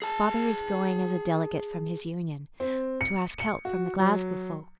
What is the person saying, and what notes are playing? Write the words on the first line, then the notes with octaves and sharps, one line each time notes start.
Father is going as a delegate from his Union, to ask help from the Glasgow folk.
G#4 A5
C4
C#7
C#7
F#4
F#3